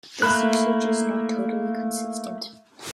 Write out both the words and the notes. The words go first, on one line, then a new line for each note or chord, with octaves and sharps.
This usage is not totally consistent.
A3 A#3 E4 B5 F#6